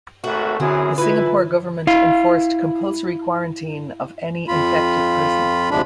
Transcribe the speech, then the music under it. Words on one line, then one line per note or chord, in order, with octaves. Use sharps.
The Singapore Government enforced compulsory quarantine of any infected person.
G#1 A3 F#4
F#2 D3 C4 E4 F#4 G#4
E4 F4 B4 G#5
E4 F5
F2 F4 B5
D2 C3 F3 G#3 D4 B5